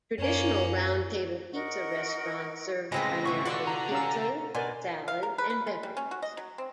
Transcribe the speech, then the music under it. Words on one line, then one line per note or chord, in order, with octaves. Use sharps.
Traditional Round Table Pizza restaurants serve primarily pizza, salads and beverages.
F#2 A#3 C#4
A#4 D#5 F#5 C#6
A2 C#3 G#3 C4 B4 G#5 B5 A#6
B2 E3 C#6
F4 F#4 A4 D5 F#5 C6 E6
A#5
C#4 F5 E6
B2 A#4 D5 G#5 C6
F5
A#4
B4
B4
G#3
G3
C#4
F#4
D#5
F#3
C4